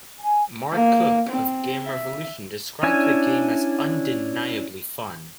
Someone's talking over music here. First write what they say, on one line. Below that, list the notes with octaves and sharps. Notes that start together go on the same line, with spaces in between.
Mark Cooke of Game Revolution described the game as "undeniably fun".
G#5
A#3
C4
E5
C#4 D4 E4 G#5